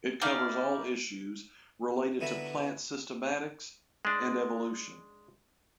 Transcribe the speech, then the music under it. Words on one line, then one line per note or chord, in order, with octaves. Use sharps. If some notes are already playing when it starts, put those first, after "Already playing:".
It covers all issues related to plant systematics and evolution.
D#4 E4 D5 F5
D3 B3 E4 F#4 A#5 B5
G#3 D4